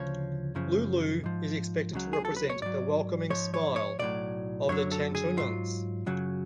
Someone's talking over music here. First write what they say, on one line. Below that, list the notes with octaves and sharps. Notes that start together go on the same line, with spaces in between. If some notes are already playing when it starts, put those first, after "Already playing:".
Lulu is expected to represent the welcoming smile of the Changchunans.
Already playing: D2 C#3 F3 C#5
F#2 C#3 F3
G#2 F3
C#2 C#3 F#3
G#4
A4
B4
C#5
G#2 F#3 D5
G#2 F3 C#5
C#5
C#5
B1 A2 F#3 D5
F#2 D3 F#3 C#5
A4
G#4
G#2 F#3 F4
F#2 C#3 F#3